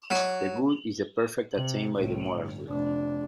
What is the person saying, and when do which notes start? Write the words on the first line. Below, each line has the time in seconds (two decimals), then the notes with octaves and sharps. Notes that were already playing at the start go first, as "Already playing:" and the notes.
The good is the perfect attained by the moral will.
0.11 F#3
1.55 C3
1.96 C2 A2
2.32 G1
2.69 F1 D4